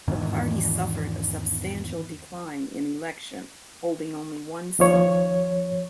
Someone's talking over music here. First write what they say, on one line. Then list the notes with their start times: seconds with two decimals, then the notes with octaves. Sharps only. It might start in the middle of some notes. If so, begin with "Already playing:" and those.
The party suffered a substantial decline in the election, holding only one seat.
0.07 E2 G#2 D#3 E3
4.79 D#2 F3 C#5